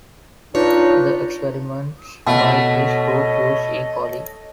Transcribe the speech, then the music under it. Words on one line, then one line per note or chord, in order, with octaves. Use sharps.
The experiments by his group used "E. coli".
D4 D#4 F4 B4 C#5
B2 A3 C#5 D#5